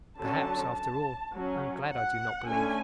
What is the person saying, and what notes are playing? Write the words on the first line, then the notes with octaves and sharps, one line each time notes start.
Perhaps, after all, I am glad I do not believe.
D3 F#3 C#4 A5
A5
F#3 C#4
F#5
D3 A3 C#4 G#5